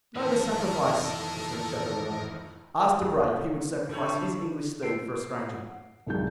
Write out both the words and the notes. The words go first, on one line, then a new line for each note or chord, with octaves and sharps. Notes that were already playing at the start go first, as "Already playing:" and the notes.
"No, the sacrifice," returned Chateau-Renaud; "ask Debray if he would sacrifice his English steed for a stranger?"
F2 A2 D#3 E3 A4 A#4
F2
D3 F3 G3 A4 C#5 G6
E6 C7 D7
F#5
C2 F#2 G#3 D#4 F4 G6